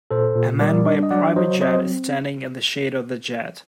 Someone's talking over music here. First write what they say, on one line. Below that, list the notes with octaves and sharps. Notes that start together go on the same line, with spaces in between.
A man by a private jet is standing in the shade of the jet.
A#2 A4 C5
A#2
G3 A#4 D5
D4
D#5
F#3 D5 F#5
F#3 C5 D#5
C4 C5 D#5